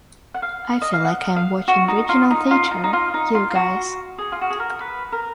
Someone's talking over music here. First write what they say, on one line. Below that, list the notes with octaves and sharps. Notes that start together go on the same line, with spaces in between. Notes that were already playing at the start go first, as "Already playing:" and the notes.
I feel like I'm watching regional theatre, you guys.
F#5
F5
D#5
F5
F#5
F5
F#4
D#4
F4
D#4
F4
D#4
D#4
F4
D#4
F4
F4
F#4
G#4
F4
F#4
G#4
A#4
B4
A#4